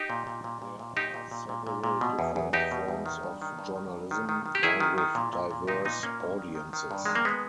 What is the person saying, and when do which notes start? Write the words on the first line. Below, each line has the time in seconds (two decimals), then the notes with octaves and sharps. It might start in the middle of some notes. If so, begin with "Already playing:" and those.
There are several different forms of journalism, all with diverse audiences.
Already playing: D#4 G4
0.10 A#2
0.27 A#2
0.44 A#2
0.62 A#2
0.79 A#2
0.97 A#2 D#4 G4
1.14 A#2
1.31 A#2
1.49 A#2
1.67 A#2
1.84 A#2
2.01 B2
2.19 E2
2.36 E2
2.53 E2 D#4 G4
2.71 B2
2.88 E2
3.06 D#3
3.23 G2
3.42 D#3
3.59 G2
3.76 D#3
3.93 G2
4.11 D#3
4.29 D#3
4.46 D#3
4.55 G4
4.63 D#3 E4 G#4
4.80 D#3
4.98 D#3
5.15 A#2
5.33 A#2
5.51 A#2
5.67 A#2 D#4 G4
5.85 A#2 B3 D#4
6.03 A#2 A#3 C#4
6.20 G2
6.38 D#3
6.55 D#3
6.73 D#3
6.91 G2
7.05 D#3 G#3
7.15 A#3
7.25 G#3 B3